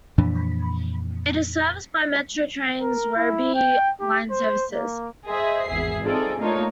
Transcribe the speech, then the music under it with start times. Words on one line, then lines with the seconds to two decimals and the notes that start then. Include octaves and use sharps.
It is serviced by Metro Trains' Werribee line services.
0.18 F2 A#2 E3 D4
2.82 A#4
3.16 E4
3.55 G5
4.00 G4
4.30 C5
4.71 A#3
5.27 G#4 C5 D#5 E5
5.66 G#1 E2 G#4 E5 C7
6.03 C4 D#4 F4 G#4 A4 D5
6.39 A3 A#3 D4 D#4 F4 C#5